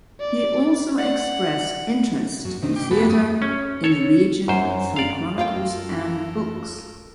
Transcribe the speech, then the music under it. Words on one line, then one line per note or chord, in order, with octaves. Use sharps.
He also expressed interest in theatre in the region through chronicles and books.
D5
D5 F#5
F#2
C3 D#3
G5 D6
F2 G#3 B3 F#4 A4 B5
F#2 G3 D#6
C#4
A4 C#5
F#2 C5
D5 F5
F#2 F4 A4 A#4 F5 G5